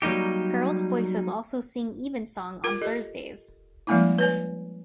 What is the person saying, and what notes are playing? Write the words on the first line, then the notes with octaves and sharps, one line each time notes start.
Girls' voices also sing evensong on Thursdays.
F#3 G3 A#3 D#4 G4
F4 A#4
G4 A4 D#5
F3 G3 G#3 A#3 C#4 E4
B4 C#5 G#5